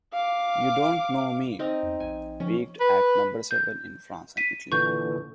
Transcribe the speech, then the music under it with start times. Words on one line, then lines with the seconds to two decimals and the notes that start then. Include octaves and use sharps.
"U Don't Know Me" peaked at number seven in France and Italy.
0.12 F5 D6
1.59 C4 D#4
1.83 E2
2.00 A#1 G#5
2.40 F3 C#4
2.80 B4
3.51 G6
4.37 B6 D#7
4.72 A#2 D3 E3 C#6 G6